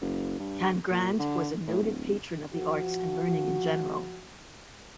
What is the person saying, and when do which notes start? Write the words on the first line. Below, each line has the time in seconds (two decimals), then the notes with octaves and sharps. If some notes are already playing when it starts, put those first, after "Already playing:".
Cangrande was a noted patron of the arts and learning in general.
0.01 F#1
0.39 G2
0.91 A#2
1.19 D3
1.67 A2
1.82 D1
2.53 F3 F#4